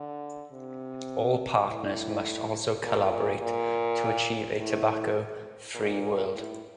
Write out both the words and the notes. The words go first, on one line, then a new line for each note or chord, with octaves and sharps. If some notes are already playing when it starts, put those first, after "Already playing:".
All partners must also collaborate to achieve a tobacco-free world.
Already playing: D3
C3
A2
A#2
A#2
A2
A#2
A2